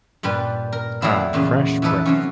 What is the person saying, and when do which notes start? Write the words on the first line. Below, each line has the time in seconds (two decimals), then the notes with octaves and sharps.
Ah fresh breath.
0.23 G2 A#2 G3 B4
0.73 A#4
1.02 F#3 G3 A3 A#3 E4
1.33 E2 A#2 C#3 F#3
1.82 E3 F3 D#4 A4 B4
2.06 C3 F#3 C#4